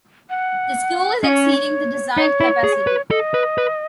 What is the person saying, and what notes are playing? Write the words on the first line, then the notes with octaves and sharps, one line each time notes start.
The school is exceeding the designed capacity.
F#5
C#4 C#5 D#5
D#4 C#5
E4
G#4
B4
A4 D#5
B4
B4